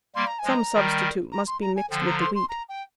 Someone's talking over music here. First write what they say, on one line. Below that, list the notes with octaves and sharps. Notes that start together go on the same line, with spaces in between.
Some substitute must be mixed with the wheat.
G3 A#3 C6
A#5
G#5
F3 G#3
A#5
D#3 G3
A#5
C6
A#5
G#5
D3 F3 G5
A#5
C6
C6
A#5
G5